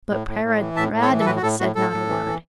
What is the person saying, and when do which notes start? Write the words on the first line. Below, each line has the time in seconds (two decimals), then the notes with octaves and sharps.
But Paridamie said not a word.
0.10 A2
0.27 A2
0.44 A2
0.60 E3
0.76 A2 E5 A5
0.93 A2
1.02 A4 C#5
1.09 E3
1.20 A4
1.26 A2 F#4 B4
1.36 F#4
1.42 A2 A4
1.60 A2 F#4
1.75 A2 A4
1.93 A2
2.09 E3
2.26 E3